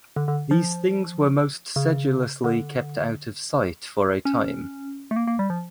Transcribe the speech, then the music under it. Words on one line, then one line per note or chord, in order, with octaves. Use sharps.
These things were most sedulously kept out of sight for a time.
D3
D3
F3
C#3
D3
C#4
A3
A#3
A#3
G3
F3